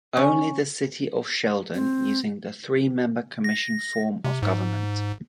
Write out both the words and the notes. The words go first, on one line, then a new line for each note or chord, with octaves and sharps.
Only the city of Shelton using the three-member commission form of government.
C#4
C4
A#6
C3
G#2